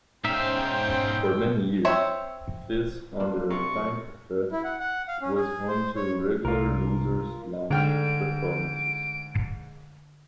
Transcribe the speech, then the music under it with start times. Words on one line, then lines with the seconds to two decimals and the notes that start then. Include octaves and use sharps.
For many years Fez under Time Cafe was home to regular Loser's Lounge performances.
0.24 G#2 B2 C#4 D#4 C5 E5 F5 G5
1.85 C4 C5 C#5 E5
3.20 F#3 A#3 D4 F4
3.50 C3 C#6
4.52 E4
4.64 F#5
4.80 F#5
5.08 F5
5.22 C#4
5.36 G#4
5.68 C5
5.96 C#5
6.45 C2 F4 A#4
7.71 G#2 D3 G5 F6 D7